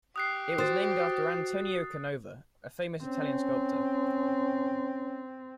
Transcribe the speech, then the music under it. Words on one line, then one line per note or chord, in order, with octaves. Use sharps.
It was named after Antonio Canova, a famous Italian sculptor.
G4 D#6 F#6 C7
F#4 C5 D#6 A6
C4 C#4